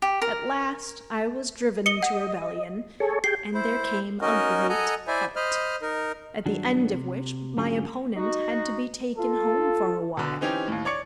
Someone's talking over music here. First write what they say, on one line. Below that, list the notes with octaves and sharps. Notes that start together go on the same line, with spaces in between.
At last I was driven to rebellion, and there came a great fight,--at the end of which my opponent had to be taken home for a while.
G4
A#4
D#5 C#7 G7
F#5
G#4 A4 C#5
G4 G#4 G5 C7
E4 C5
C#4 D#4 F#4 A#4 D#5
A4 D#5 F#5 G#5 A#5
E4 C5 D5 E5 G#5
C5 D#5 B5 F6
D#4 A#4
G2 D#3 F#3 D4 F#4
C3
G#2 D3 F#3 C#4 F4 G#4
D#4 F#4
F4 A4
B2 D3
E3 C4 C#4 D#4 G4
D#2 A2
C#5 D5 C#6 C#7